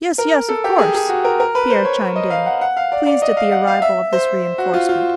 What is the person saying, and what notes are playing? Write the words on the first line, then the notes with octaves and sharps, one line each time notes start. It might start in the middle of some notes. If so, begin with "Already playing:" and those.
"Yes, yes, of course!" Pierre chimed in, pleased at the arrival of this reinforcement.
A#4
A4
G4
G#4
G#4
F#4
A#4
A#4
B4
C5
C#5
C#5
D#5
F5
F#5
F#5
F5
D5
D5
D#5
F5
F#5
F5
E5
C5
F#4
F4
F4